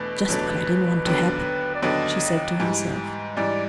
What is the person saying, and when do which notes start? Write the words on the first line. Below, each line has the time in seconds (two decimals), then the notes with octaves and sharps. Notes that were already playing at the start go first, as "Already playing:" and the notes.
"Just what I didn't want to happen!" she said to herself.
Already playing: E2 B2 A3 D4 B4
0.28 E2 B2 F#3 A3 D4
1.05 D#2 D3 F#3 B3 D4
1.75 D5
1.82 D#2 D3 F#3 B3 D4 D#5
2.60 G#2 E3 G3
3.37 G#2 E3 G3 D5